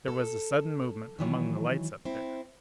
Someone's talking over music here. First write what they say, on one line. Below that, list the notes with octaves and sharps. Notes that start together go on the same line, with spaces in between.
There was a sudden movement among the lights up there.
A4
D#3 E3 F#3
C4 E4